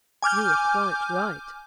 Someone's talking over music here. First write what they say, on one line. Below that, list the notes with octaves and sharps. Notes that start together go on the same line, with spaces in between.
'You are quite right.
G#5 D6 F6 G6